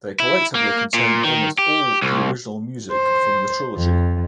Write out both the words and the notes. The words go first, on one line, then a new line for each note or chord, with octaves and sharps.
They collectively contain almost all of the original music from the trilogy.
E4
A#3
A#2
D#3
G4
C2
C5
F2